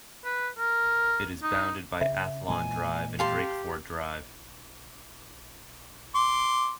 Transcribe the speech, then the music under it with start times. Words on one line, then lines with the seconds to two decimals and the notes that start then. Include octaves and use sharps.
It is bounded by Athllon Drive and Drakeford Drive.
0.25 B4
0.59 A#4
1.43 D#4
2.01 C#3 E5
2.48 A#2 E3 G#3 G#5
3.19 G4 F5 A5 C6
6.15 C6 D6